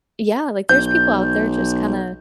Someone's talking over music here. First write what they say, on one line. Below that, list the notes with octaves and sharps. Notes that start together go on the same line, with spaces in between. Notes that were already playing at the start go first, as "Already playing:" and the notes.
Yeah, like, "There's people out there just kinda
B1 G6